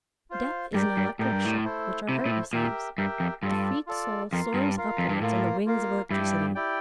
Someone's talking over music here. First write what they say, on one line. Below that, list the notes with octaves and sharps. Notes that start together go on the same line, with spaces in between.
Death is an electric shock which our heart receives; the freed soul soars upwards on the wings of electricity.
F4 C5 F5
G2 G4 A#4 D5 G5
G2
A2 G4 A#4 D5 G5
G2
A2
A3 E4 A4 C5
C3 A3 E4 A4 C5
A#2
A2
A#2 G4 A#4 E5 G5
G2 G4 A#4 E5 G5
F2
G2 F4 A4 D5
F4 A4 D5
F2 F4 A#4 F5
G2
F4 A#4 F5
F2
G2
A2 A#3 F4 A#4 F5
A#3 F4 A#4 F5
G2 E4 G4 D5 G5
E4 G4 D5 G5